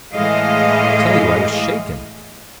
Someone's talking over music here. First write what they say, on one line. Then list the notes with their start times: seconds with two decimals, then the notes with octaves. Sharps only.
I tell you I was shaken.
0.12 A2 E3 G#3 D#5 F5